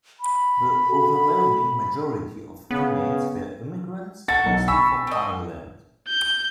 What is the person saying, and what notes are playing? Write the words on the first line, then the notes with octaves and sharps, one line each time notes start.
The overwhelming majority of inmates were immigrants, mostly from Ireland.
B5
F#4 A4
C#3 B3
F#4 A4 A6
B1
G#5 B5 C#6 E6
C4 D#5
G6